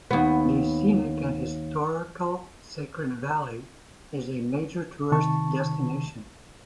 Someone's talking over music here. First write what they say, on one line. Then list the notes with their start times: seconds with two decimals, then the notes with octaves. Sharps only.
The scenic and historical Sacred Valley is a major tourist destination.
0.11 D#2 B3
5.12 C3 D#3 A5 C#6